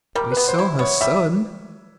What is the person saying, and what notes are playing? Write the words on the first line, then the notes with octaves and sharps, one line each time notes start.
"I saw her son."
G3 A#4
B4
B3
C5
E4
B3 C#5
G3 E5